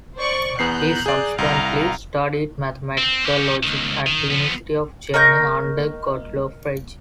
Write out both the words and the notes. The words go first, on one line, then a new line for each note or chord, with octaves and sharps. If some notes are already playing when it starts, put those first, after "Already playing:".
He subsequently studied mathematical logic at the University of Jena under Gottlob Frege.
C5 D5 C#6
E2 B3 A#5 F#6 G6 C7
G#4 D5
C2 F5 A#5
C4
C#4 G4
C#2 D#3
D#3
F3 B3
A#4 D#5 C#6 G6